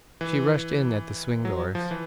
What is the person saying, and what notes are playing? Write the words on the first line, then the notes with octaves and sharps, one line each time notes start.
She rushed in at the swing doors.
E3
F#3
F3
E3